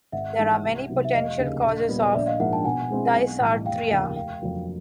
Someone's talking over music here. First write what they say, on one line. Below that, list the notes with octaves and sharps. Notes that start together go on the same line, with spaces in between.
There are many potential causes of dysarthria.
G#1 E5 F#5
G#2 E3 G#3
C2
C3 D#3 F#3 B3
E5
F1 D#5 F5
D#2 C#3
A#1
A#2 G3 B3
A#1 D5 E5
D#5 F5
G#2 F3 A#3 D4 E5 F#5
G5 A5
B2 F#5 G#5
G#3 C4 E4 G#4
B1
A2 E3 G3
F1 F5 G5
D#2 C#3 F3 A#3
F1 F5 G5
F2 D3 F#3 A#3